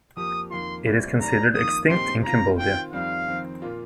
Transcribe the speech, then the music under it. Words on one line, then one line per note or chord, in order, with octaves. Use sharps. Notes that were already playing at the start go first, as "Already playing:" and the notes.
It is considered extinct in Cambodia.
F2 F3 A#3 G4 D#6
F2 D#3 A#3 F4 C6
C2 A#2 G3 C4
D#2 D#3 G3 A#5
F2 D#3 A#3 D#6
A#2 F3 C4 D#4 G4 C6
D#3 C4 F4 A#5
D#3 C4 F4 G5
F2 D#3 G3 C4 F5
F2 D#3 C4
A#2 A#3 F4